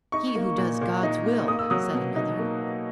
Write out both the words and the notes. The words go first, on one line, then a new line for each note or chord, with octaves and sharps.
"He who does God's will," said another.
D#4 C#6
A#3
A#2
A#2
D#4
A#3
A#3 D#6
E6
F#3 D#6
B2
D#4
A#3